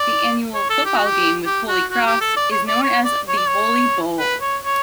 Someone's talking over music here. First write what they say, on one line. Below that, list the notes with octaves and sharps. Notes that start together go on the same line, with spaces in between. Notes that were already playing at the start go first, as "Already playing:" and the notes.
The annual football game with Holy Cross is known as The Holy Bowl.
Already playing: D5
C#5
A4
G4
F#4
G4
G4
F#4
F#4
G4
A4
D5
C#5
D5
C#5
D5
C#5
D5
C#5
B4
C#5
C#5